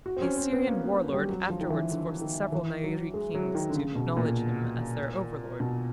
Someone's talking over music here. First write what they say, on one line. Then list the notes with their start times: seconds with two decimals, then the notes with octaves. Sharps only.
The Assyrian war-lord afterwards forced several Nairi kings to acknowledge him as their overlord.
0.06 F#4
0.16 C4
0.22 C#4
0.37 C4
0.52 B3
0.67 A#3
0.83 A#3
1.09 F#3
1.14 G3
1.29 F#3
1.50 F3
1.61 D#3
1.70 E3
1.91 D3
2.21 D#3
2.52 E3
2.83 F#3
3.14 G#3
3.35 F#3
3.55 D#3
3.69 D3
3.75 C#3
3.96 B2
4.17 A#2
5.60 B2